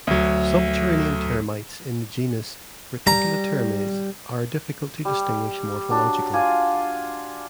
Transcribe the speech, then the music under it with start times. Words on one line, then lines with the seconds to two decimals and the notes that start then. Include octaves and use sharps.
Subterranean termites in the genus "Reticulitermes" are difficult to distinguish morphologically.
0.07 D2 F#3
3.07 G3 A#5
5.05 G3
5.90 F#3 D4
6.33 F4 D5 G#5